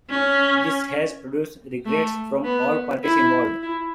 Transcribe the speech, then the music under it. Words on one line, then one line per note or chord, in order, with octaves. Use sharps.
This has produced regrets from all parties involved.
C#4
A3
B3
E4
E4